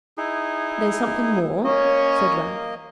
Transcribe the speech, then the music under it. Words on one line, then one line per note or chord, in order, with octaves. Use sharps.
'There's something more,' said Ralph.
D#4 E4 G#4
A#3 C#4 C#5 D#5